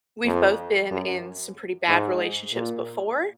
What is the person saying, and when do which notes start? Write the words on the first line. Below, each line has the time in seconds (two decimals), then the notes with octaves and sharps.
we've both been in some pretty bad relationships before,
0.25 F2
0.91 F#2
1.88 G#2
2.53 A#2